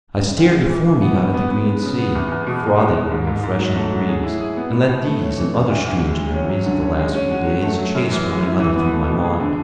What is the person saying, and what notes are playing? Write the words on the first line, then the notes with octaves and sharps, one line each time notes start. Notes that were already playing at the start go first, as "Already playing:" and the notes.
I stared before me out at the green sea, frothing under a freshening breeze, and let these and other strange memories of the last few days chase one another through my mind.
C#3
D2
G#3
E3
E3
B3
F#4
B3
B3
G#3
C#3
B3
E2
E2
B2
G#3
G#3
G#3
G#2
G#2
G#2
F#3
A3
F#3
G#4
E4
G#4
B3
B3
B2
A3
C#4
E3
D2
D2
D2
G#3
G#3
C#4
F#3
D3
C#4
G#3
C#4
F#4
F#3
A3
F#3
F#2
E3
G#3
E4
E3
B3
A3
B2
G#4
D3